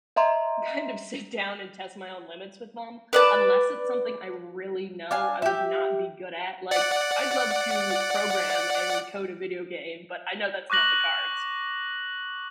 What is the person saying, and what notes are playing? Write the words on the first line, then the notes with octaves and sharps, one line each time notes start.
kind of sit down, and test my own limits with them, unless it's something I really know I would not be good at, like, I'd love to program, and code a video game, but I know that's not in the cards,
D#5 E5 A#5 C6
B4 D5 A5
D4 F5 G#5
G4 E5
D5 F#5
C#6 D6 F#6 A#6 F#7